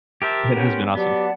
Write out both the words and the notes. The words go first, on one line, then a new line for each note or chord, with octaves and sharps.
It has been awesome.
G4 A#4 C5 E5 A5
B3 C#4
F#3 B3 G4 D5 F#5 A5